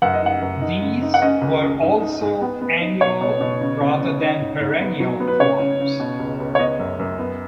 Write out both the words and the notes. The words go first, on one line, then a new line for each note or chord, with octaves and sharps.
These were also annual rather than perennial forms.
F#2 F#5
D#5
D#4 F#5
F#2
D#4
C#3
D#4
F#5
C#4 D#5
C#2
C#4
G#2
D#4
G#2
B3
B3
D#4
B2 C#5
B2
B2
C#3
C#3
C#3
D#4
G#2
G#2
B3
F#3
B3
B4
C#3 C#5
C#3
C#3
B2
C#2
C#2
C#5
B3 D#5
F#2
F#2
B3